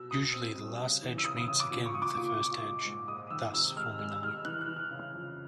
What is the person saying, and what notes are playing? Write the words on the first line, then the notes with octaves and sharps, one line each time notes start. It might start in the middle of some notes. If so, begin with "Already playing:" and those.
Usually the last edge meets again with the first edge, thus forming a loop.
Already playing: B2 E6
B2 D#6
C4
G3
C#3
E3
E6
C#3 D#6
D#6
C#3 D#6
D6
A#2
C#6
A#2 D#6
D6
A#2
A#2
G#3
G#2
G#3 D#6
D#3 E6
C3 E6
G#3 F6
G#3 F6
E6
G#3 F6
E3 F#6
F#6
E3
F6
C#3
F2